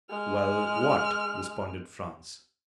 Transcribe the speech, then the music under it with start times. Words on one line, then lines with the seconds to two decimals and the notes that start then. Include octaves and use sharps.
"Well--what?" responded Franz.
0.10 G#3 F6